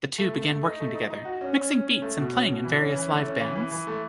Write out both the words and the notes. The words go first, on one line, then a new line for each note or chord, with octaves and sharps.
The two began working together, mixing beats and playing in various live bands.
A3
A3
A3
D#4
A3
D#4
D#4
F#4
C#4
C#4
C#4
C#4
A3
B2
C#4
B2
E3
C#4
E3
A3
C#4
E3
E3
E3
A3